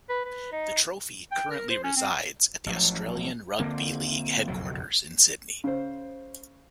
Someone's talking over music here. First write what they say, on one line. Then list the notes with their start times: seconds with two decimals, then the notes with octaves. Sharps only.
The trophy currently resides at the Australian Rugby League headquarters in Sydney.
0.09 B4
0.25 B4
0.52 D#4
1.32 G5
1.51 A#4
1.70 C5
1.84 C#4
1.96 C4
2.66 A1 F3 F#3
3.60 D3 A#3 C4
4.48 F#1 B1 F2 F#3
5.64 C#3 C5